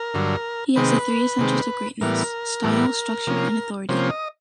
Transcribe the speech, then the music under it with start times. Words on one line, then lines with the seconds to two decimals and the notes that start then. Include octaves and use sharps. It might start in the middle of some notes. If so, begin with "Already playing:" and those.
He has the three essentials of greatness: style, structure, and authority.
Already playing: A#4
0.14 G2 D3 F#3
0.76 C3 D#3 G#3 C4 B4
1.39 C3 D#3 G#3 C4
2.01 A2 E3 G3 B3 A#4
2.63 A2 E3 G3 B3
3.27 C3 F3 A#3 C#4
3.89 C3 F3 A#3 C#4 C5
4.10 D#5